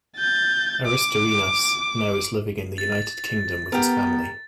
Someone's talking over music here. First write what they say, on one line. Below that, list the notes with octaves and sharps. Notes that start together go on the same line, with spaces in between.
Aristorenas now is living in the United Kingdom with his family.
G6 A6
D6
A6
B3 G4 A#4